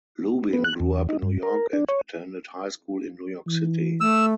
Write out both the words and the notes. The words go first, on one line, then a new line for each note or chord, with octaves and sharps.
Lubin grew up in New York and attended high school in New York City.
B3
F#6
E2
D#4
G2
A#4
D4
C#5
E3
A3 E6